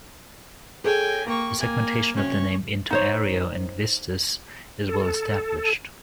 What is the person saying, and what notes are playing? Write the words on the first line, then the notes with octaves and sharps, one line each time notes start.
The segmentation of the name into "Ario-" and "-vistus" is well established.
G#4 A4 C#5 G5 G#5
A#3 G5 C#6
A#3 G#5
C3 F#3 C#4 C#6
D#4 C5 C#5
A4